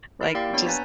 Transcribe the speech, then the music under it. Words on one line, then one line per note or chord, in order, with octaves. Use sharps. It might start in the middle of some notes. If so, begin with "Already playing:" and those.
like, just
E4 A#4 D7
A#3 G4 D5 F5 G5
B3 D4 C#5 B5
B4 G#5 A#5 G6 A6 B6